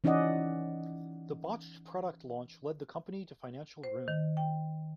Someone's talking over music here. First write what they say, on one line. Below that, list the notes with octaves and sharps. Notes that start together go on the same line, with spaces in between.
The botched product launch led the company to financial ruin.
E3 C#4 D#4 D5 D#5 F#5
C5
D#3
G5